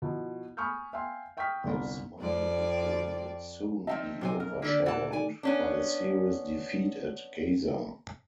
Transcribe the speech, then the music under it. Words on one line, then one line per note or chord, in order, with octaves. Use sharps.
This minor victory would soon be overshadowed by a serious defeat at Gaza.
B2 F3 E4
G#5 B5 C#6 D#6 F6 G6
E5 F5 G5 G#5 C6
E5 G5 C#6 D#6 F6 B6
G1 C2
F2 C4 D5
F3 C4 D#4 E5
B1 C3 C5 G#5
A#4
D3 A#3 A4 D5
A#2 E3 F#5 A5
D#3 A3 D5 G#5
B3 C#4 D4